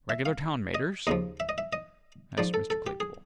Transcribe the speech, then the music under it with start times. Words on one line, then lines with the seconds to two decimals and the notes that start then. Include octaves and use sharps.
'Regular town-maders?' asked Mr. Claypole.
0.10 E5
0.26 F5
0.75 D#5
1.07 D#2 C#3 F3 D#5
1.40 E5
1.49 D#5
1.58 E5
1.73 D#5
2.38 G#2 F3 D5
2.54 A4
2.70 A4
2.87 G4
3.00 G#4